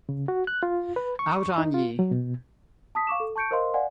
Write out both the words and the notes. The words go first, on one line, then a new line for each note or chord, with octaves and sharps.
Out on ye!
C#3
F#4
F#6
F4
B4
C#6
D#4
F4
F#3
B2
A5 D#6 B6
F5 C#6 D6 E7
A4
A5 C#6 G6 C#7 D7
A#4 C5 D#5 F5 C6
D5 F5 F#5 G#5